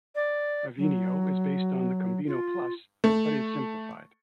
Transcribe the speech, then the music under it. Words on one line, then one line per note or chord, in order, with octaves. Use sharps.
Avenio is based on the Combino Plus but is simplified.
D5
F#3
F4
A3